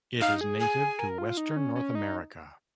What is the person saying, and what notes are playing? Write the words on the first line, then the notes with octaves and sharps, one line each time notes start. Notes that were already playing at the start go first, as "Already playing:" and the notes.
It is native to western North America.
D#4 F5
G#4
G#5
A#4
F4
D#4
C#4
C#4
D#4